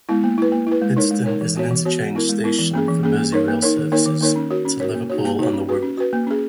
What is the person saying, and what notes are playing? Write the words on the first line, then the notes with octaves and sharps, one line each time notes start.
Bidston is an interchange station for Merseyrail services to Liverpool and the Wirral.
G#3 B3 E4
A#3
E4 B4
A#3
E4 B4
G#3
D#4 A#4 C#5
G#3
D#4 A#4 C#5
E3
B3 F#4 C#5
E3
B3 F#4 C#5
G#3
B3 E4 A#4
G#3
B3 E4 A#4
E3
A#3 C#4 G#4
E3
A#3 C#4 G#4
A#3
D#4 A#4 C#5
A#3
D#4 A#4 C#5
D#3
A#3 D#4 A#4 C#5
D#3
A#3 D#4 A#4 C#5
C#4
F#4 A#4 C#5
C#4
F#4 A#4 C#5
A#3
D#4 F#4 C#5
A#3
D#4 F#4 C#5
C#4
F#4 B4
C#4
F#4 B4
A#3
C#4 G#4